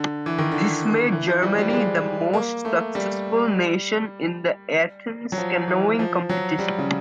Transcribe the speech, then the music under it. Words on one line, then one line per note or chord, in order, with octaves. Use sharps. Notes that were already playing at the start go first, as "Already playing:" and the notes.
This made Germany the most successful nation in the Athens canoeing competition.
Already playing: D3
E3
D#3
D3
E3
F3
G3
G3
G3
G#3
A#3
A3
G3
F#3
F3
E3
F3
F#3
G3
C#3